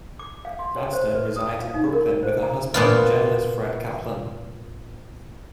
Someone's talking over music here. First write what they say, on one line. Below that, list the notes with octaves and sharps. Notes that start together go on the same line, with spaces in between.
Gladstone resides in Brooklyn with her husband, journalist Fred Kaplan.
D6
F5
C6
C#5
C5
B4
D#6
F5
D#4
A#4
C5
A#5
A#2 B3 F4